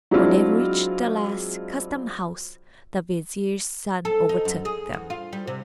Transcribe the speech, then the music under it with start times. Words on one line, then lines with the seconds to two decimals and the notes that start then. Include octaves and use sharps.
When they reached the last custom-house the vizier's son overtook them.
0.11 F#3 G#3 C4 D4 E4 F4
4.05 A4
4.29 D#4
4.45 F#2
4.65 G#4
4.93 E2
5.10 F4
5.33 G3
5.47 C3